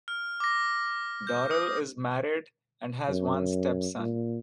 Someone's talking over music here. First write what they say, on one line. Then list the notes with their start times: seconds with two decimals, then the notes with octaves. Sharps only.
Dorrel is married and has one stepson.
0.08 F6
0.40 D6 A#6
1.27 G6
1.51 D#6
3.09 F#2
3.99 A#2